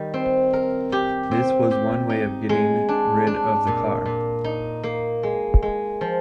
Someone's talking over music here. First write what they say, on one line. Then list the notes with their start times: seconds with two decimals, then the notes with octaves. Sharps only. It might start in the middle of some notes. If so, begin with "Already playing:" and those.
This was one way of getting rid of the car.
Already playing: D#3 G3 D#4
0.14 C4
0.53 A#4
0.92 G4
1.31 C4
1.71 G4
2.10 D#4
2.49 G#3
2.89 D4
3.27 D4
3.67 A#2
4.06 A#2
4.44 D#4
4.83 A#3
5.23 G#3
5.62 G#3
6.01 F3